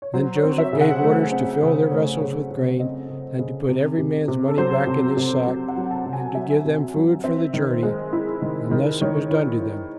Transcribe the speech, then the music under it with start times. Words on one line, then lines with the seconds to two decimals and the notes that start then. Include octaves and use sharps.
Then Joseph gave orders to fill their vessels with grain and to put every man's money back in his sack and to give them food for the journey; and thus it was done to them.
0.02 C#5
0.14 F#3 C5
0.36 C#5
0.43 C4
0.58 E5
0.73 C#3
0.81 F#5
1.02 A3
1.32 C4
1.62 C#3
1.91 A3 C#5
2.21 C#3
2.51 C#3
2.80 C4 D#5
3.10 C#3
3.39 C#3
3.69 C3
3.98 C3
4.28 C3
4.48 A4
4.58 F#3 C5
4.87 C3
5.17 C3
5.46 F#3
5.68 F#5
5.76 F#3
5.91 A5
6.06 C3
6.13 G#5
6.35 F#3 E5
6.65 C3
6.94 F#3
7.24 C4 E5
7.53 D#3
7.83 G#3
8.13 E4
8.42 D#3
8.71 D#3
9.02 D#3 C#5
9.31 E4
9.60 E4